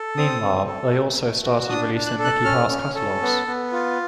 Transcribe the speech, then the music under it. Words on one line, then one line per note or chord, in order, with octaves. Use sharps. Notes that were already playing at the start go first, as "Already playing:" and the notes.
Meanwhile, they also started releasing Mickey Hart's catalogs.
Already playing: A4
C4 D#6
C4
A4
A3
A3
F#4
D4 D#6
D4
F#6
A4
F#6
C#4 F6
C#4
A4
B3
B3
F4